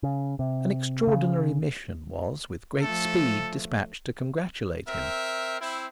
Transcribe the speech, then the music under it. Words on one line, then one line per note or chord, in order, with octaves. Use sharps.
An extraordinary mission was, with great speed, despatched to congratulate him.
C#3
C3
C#3
F3 A3 A4
C4 A#4 E5
C4 E4